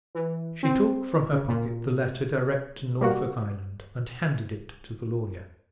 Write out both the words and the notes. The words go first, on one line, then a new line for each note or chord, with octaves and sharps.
She took from her pocket the letter directed to Norfolk Island, and handed it to the lawyer.
E3
C4
C#3
A#2
G3 A#3 F#4